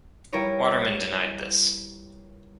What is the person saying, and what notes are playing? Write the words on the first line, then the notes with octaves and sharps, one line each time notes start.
Waterman denied this.
G3 E4 F4 A#4 B4 C#5